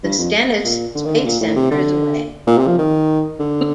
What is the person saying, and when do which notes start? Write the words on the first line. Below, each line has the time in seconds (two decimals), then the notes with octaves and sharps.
The Stennis Space Center is away.
0.03 G2
0.18 F2
0.64 A#2
0.95 D3
1.05 D#3
1.15 D3
1.25 A#2
1.41 A2
1.56 C3
1.71 D3
2.47 A#2
2.58 C3
2.67 F3
2.78 D#3
3.39 D3